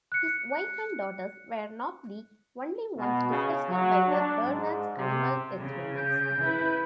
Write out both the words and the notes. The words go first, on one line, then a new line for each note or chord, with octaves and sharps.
His wife and daughters were not the only ones disgusted by Bernard's animal experiments.
F#6 C#7
B2
C#3
F#3
D4
G#2
C3
C#3
G6
E4 B4